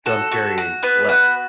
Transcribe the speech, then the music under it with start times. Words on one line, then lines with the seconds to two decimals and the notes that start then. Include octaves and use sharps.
so I'm carrying less,
0.06 F#4 A4
0.32 F#4
0.58 F#4
0.83 B3 B4
1.09 F#4